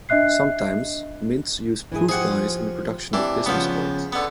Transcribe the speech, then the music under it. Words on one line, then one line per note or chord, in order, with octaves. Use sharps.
Sometimes mints use proof dies in the production of business coins.
D4 D#5 E5 F#6 C7
E3 E4 G#4
F3 G4 G#4 F#5
E3 C4 D4 G4
C#3 F3 B3 C#4
D3 B3